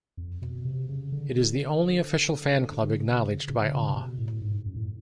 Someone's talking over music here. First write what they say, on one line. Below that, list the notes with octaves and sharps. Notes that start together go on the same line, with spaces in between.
It is the only official fan club acknowledged by Aw.
F2
B2
C3
C#3
D3
C#3
C#3
D3
C#3
C3
B2
A2
G#2
F#2
A2